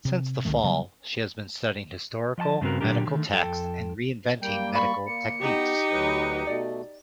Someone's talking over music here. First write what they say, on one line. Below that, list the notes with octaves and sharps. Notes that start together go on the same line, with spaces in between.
Since The Fall, she has been studying historical medical texts and re-inventing medical techniques.
C3
C2 D3 D#3 A3
C#3 F#3 G3 B3
F3 D#5 F#5 A5
G2 C#3 B3 C4 F#4 A#4
A#2 D3 F#3 D4 G4 A#4
D3 D#3 A3
F2 A4 G5 A5
G3 A#3 G5
D5 F5 B5 C#6
A#3 C#7
B3 D#4 G4
D2 F#3 B4
B2 A3 D5